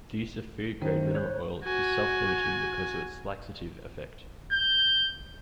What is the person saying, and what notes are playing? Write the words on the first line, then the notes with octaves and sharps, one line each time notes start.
The use of food grade mineral oil is self-limiting because of its laxative effect.
A1 D#3 C5
C#5 F#6 G6
F#4 G#5
G6